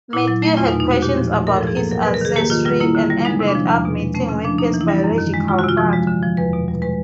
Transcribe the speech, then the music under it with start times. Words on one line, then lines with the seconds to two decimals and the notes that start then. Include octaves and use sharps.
Matthew had questions about his ancestry and ended up meeting his biological father.
0.13 A#2 E4
0.28 F#3
0.42 A3
0.57 E2 F4
0.68 D#4
0.72 B2
0.80 D#4
0.87 G#3 F#4
1.02 A#2 G4
1.17 F3
1.32 A3
1.47 G#2 A#4
1.56 F3 A4
1.67 G#4
1.76 A#3 A4
1.91 F#3 A#4
2.03 B4
2.07 C3
2.14 A#4
2.21 D#3 G#4
2.36 A#3 G4
2.50 D#3 F4
2.65 G3 F4
2.80 A#3 E4
2.95 D3
3.10 G3
3.25 G#3 D#4
3.40 C3
3.47 D4
3.55 F3
3.70 E2
3.85 B2
4.00 G#3
4.14 A3 C#4
4.29 C#3 C#4
4.45 F3 D4
4.58 A#3 D#4
4.74 E3
4.81 E4
4.88 G3
5.04 F#2
5.18 D#3
5.34 G#3
5.48 G#3 F4
5.59 F#4
5.63 C3
5.69 F4
5.78 F3
5.93 G#3
6.07 D3
6.23 F3
6.37 E2 B4
6.53 B2
6.68 G3
6.82 G#3 B4